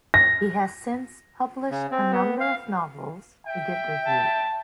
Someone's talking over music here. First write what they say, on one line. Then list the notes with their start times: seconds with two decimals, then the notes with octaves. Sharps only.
He has since published a number of novels to good reviews.
0.14 A#6
1.71 C#3
1.91 C4
2.12 B3
2.40 F5
3.46 E5 G5
4.07 A5